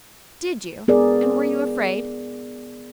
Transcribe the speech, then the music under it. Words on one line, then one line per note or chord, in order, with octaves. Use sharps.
"Did you? and were you afraid?"
B3 G#4 A#4 D5